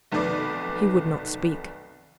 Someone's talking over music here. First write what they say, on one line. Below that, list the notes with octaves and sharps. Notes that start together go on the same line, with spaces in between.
He would not speak.
F1 B1 D#3 B4 D5 D6